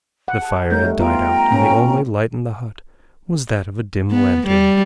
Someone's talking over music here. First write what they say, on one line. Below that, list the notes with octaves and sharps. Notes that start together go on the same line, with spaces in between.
The fire had died out, and the only light in the hut was that of a dim lantern.
F#5
G#4 A5
G3 A3 D#4 A#4 C#5 G6
B3 F4 G5 A#5
A#2 A#3 C#4
B3
G3